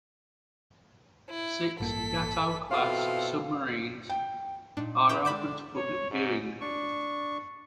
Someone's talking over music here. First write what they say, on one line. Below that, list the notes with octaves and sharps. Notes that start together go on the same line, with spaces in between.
Six "Gato"-class submarines are open to public viewing.
E4
A1 G2 A#3 A4 B6
B2 C4 E4 F4 A4 F5
G5
A#2 D4 D#4
E3 G5
D3 G#3 D4 B5 G6 D7
C#5
G#2
D4 C#6